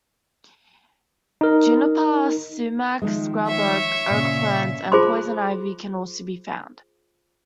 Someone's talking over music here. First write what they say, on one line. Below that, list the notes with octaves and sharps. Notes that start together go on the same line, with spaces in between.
Juniper, sumac, scrub oak, oak ferns and poison ivy can also be found.
D#4 A#4
D#3 F3 G#3
C#5 E5
A#2 C#3
F4 G#4 C5 A5 B5 C6